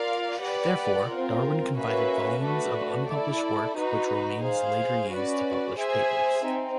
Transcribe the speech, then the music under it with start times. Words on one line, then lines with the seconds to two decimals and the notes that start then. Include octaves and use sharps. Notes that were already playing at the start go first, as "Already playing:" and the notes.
Therefore, Darwin confided volumes of unpublished work which Romanes later used to publish papers.
Already playing: F4 A#4 D5 F5
0.40 G4 B4 D5 F#5
1.08 C4 F4 A#4
1.75 A#3 C#4 F#4 B4 E5
2.42 A3 D4 F#4 B4
3.09 E4 A4 D5
3.76 D#4 F#4 B4
4.44 G#4 C5 F5
5.11 C#4 F#4 B4 D5
5.79 G#4 C5 E5 G#5
6.46 C4 D#4